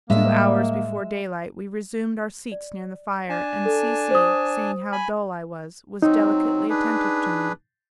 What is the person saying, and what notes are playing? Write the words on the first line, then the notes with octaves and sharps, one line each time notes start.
Two hours before day-light we resumed our seats near the fire, and C---- C----, seeing how dull I was, was delicately attentive to me.
A2 G3 G#3 A#3 D#5 E5
D5
D4 G#5 A5
A4
C5 D#6
G#5 B5
F#3 C4 D#4
D4 G#4 B4